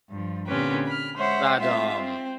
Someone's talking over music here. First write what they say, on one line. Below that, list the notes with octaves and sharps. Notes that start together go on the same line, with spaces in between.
but, um,
G2 F3
A#2 D3 C4 C#4 G4 B4
B5 F6
G#3 C5 C#5 E5 F#5
G#3 C4 F4 E5
C4